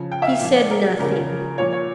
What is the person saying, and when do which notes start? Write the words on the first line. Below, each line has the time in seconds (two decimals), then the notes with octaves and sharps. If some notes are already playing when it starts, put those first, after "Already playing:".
He said nothing.
Already playing: C#3 F3
0.12 G5
0.22 E5
0.26 F5
0.40 A#2 F3
0.56 D5
0.71 A#4
0.99 C#3 F3 A#4
1.58 A#2 F3 C#5
1.73 C#5